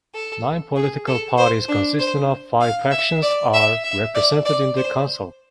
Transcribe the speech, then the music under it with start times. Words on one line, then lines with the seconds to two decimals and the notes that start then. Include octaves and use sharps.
Nine political parties consisting of five factions are represented in the Council.
0.14 A4
0.76 G#4
1.07 A4
1.38 C5
1.68 D4
1.99 C5
2.61 F5
2.91 E5
3.22 D5
3.54 E5
3.84 E5
4.15 D5
4.45 D5
4.76 C5